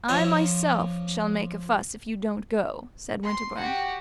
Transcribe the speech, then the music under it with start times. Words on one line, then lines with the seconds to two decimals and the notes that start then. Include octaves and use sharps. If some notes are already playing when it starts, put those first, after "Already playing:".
"I myself shall make a fuss if you don't go," said Winterbourne.
0.08 F3 D4 C5 C#5 D#5 F5
3.23 C6
3.58 F#4 G4